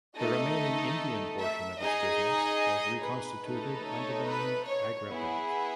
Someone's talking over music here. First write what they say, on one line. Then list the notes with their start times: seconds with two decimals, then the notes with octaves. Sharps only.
The remaining Indian portion of its business was reconstituted under the name Agra Bank.
0.16 A3 D#4 A4 D#5
1.40 E5
1.81 D#4 G#4 D#5
3.04 B4
3.45 A3 D#4 A4
3.86 C#5
4.27 B4
4.67 C#5
5.09 B3 E4 G#4